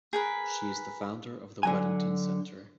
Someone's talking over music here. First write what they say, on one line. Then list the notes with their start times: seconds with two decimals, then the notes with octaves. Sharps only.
She is the founder of the Weddington Center.
0.13 G#4 A#4 B4
1.63 D3 F#3 G#5